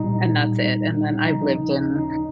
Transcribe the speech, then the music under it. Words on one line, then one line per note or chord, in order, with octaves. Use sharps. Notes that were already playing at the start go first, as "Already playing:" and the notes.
And that's it, and then I've lived in
Already playing: A#2 G3 D#4
C#3 F3 D#4
C#4
D#4